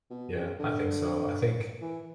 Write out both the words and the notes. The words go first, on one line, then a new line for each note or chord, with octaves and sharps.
Yeah, I think so, I think
B2
C#3
D3
E3